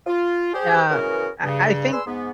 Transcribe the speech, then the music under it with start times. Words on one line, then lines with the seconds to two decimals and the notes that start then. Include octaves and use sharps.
Um, I I think
0.07 F4
0.53 G4 G#4 C5
0.90 C#3 E3 B3 C#4 F#4 A#4
1.43 G2 C#3
1.92 D4 G#4 B4 C6 E6
2.06 G#2 B3